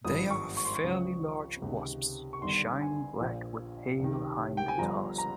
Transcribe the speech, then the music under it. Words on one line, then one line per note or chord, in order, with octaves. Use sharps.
They are fairly large wasps, shiny black with pale hind tarsi.
G#1 G2 F3 D#6
C#6
C#6
C6
C#6
C#2 C#3 F3
C#2 C3 D#3
C#6
G1 G2 D#3 C6
G#5
A#1 A#2 F3
C#2 C3 D#3
G5
G#5
G1 G2 F3 A#5
A#5